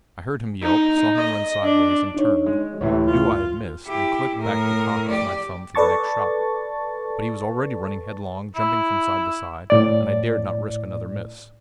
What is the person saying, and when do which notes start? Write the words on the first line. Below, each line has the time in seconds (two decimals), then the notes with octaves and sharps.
I heard him yelp, saw him run sideways and turn, knew I had missed, and clicked back the cock with my thumb for the next shot. But he was already running headlong, jumping from side to side, and I dared not risk another miss.
0.63 D#4
1.16 D#5
1.64 D4
2.15 D4 D#4 C#5
2.46 G#3
2.81 D2 A2 C3 E3 C#5
3.07 F4
3.86 E4 G4
4.37 A2 A#4
5.08 G4 D5
5.75 A4 B4 D5 A5 C#6 A6
8.56 E4
9.70 A2 D5